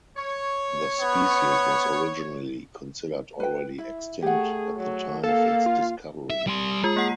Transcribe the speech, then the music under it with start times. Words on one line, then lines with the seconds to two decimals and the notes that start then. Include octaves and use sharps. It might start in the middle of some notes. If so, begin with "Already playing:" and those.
The species was originally considered already extinct at the time of its discovery.
0.17 C#5
1.00 B3
3.40 B4 G5
3.78 E4
4.22 A3 G4 G#4 F#5
4.77 F#3
5.23 A#3 A4 F5
5.66 F4
6.30 E5
6.47 G3 C6
6.84 G#3 F4 G#4
6.96 A#3 F#5 C7